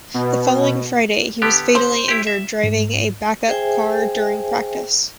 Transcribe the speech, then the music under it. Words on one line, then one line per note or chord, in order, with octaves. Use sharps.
The following Friday he was fatally injured driving a back-up car during practice.
B2
D3 B3 G4
C5
E4 G4
E5
G#2
G#4 C5 E5 G5 G#5